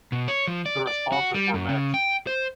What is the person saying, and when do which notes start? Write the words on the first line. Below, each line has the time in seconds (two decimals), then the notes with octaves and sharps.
The responses were mixed.
0.12 B2
0.28 C#5
0.47 F3
0.66 D5
0.87 D5
1.12 F#4
1.34 G3
1.54 F#2
1.69 C#3
1.94 G5
2.27 C5